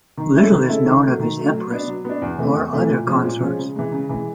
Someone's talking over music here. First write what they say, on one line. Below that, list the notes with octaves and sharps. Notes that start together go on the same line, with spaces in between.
Little is known of his empress or other consorts.
D#3
G#3 C#4 E4 A4
D#3
G#3 C#4 E4 A4
D#3
F#3 A3
D#3
F#3 A3
F#3
B3 D4
F#3
B3 D4
E2
C3 E3 A3
E2
C3 E3 A3
A#2
F3 G#3 C#4
A#2
F3 G#3 C#4
C#3
E3 G#3
C#3
E3 G#3